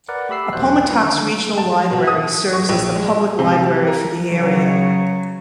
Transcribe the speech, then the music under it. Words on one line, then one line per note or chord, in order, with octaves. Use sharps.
Appomattox Regional Library serves as the public library for the area.
A#4 B4 D5 F#5
A3 G4 B5 E6 C7
B1 E2 F#4 C5 F#6
F#3 A#3 C4 D4 F4 B4
D3 D#3 A3
A5
B2
D#6
C#6
A#1
G#3
C3
G4
A#4
C#3 F#3